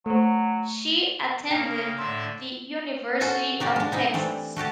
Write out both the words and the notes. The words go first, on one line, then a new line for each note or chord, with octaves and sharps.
She attended the University of Texas.
F#3 A3 C5
C#3 A#3 D4 G5
A2 D3 E5 C6
C#4 F#4 A4 C5
D#4 F#4 G4 D5
G#3 D4
C4 D#4 E4 G#4
E3 G3 A3 C4 D4
A3 F#4 G4 A5